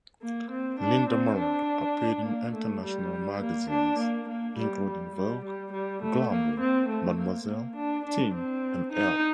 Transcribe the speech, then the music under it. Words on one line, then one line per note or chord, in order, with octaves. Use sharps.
Linda Morand appeared in international magazines including "Vogue", "Glamour", "Mademoiselle", "Teen", and "Elle".
A#3
C4
D4
C4
D4
A#3
A3
G3
A#3
D4
A#3
A#3
G3
G3
G3
G3
G3
A3
A#3
C4
A3
A#3
A#3
D4
D4
C4
D#4